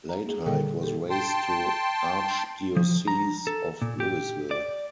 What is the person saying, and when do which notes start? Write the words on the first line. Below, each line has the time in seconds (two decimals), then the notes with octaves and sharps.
Later it was raised to Archdiocese of Louisville.
0.09 A#5
0.26 A#3 G#4
0.46 A#2 D3 G3 A4 A#4 G5
0.83 G4 A4
1.10 G5 A5 C6
2.77 F3
3.08 A#5
3.47 A4
3.82 A#2
4.00 G4
4.51 D5